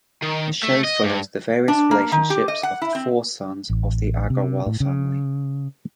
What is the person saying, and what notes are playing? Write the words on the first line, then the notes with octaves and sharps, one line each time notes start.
The shows follows the various relationships of the four sons of the Aggarwal family.
D#3
A3
D#5
G2
D4
A#3
D#3
G4
D#5
F#5
E4
C4
A1
C3
A2
C#3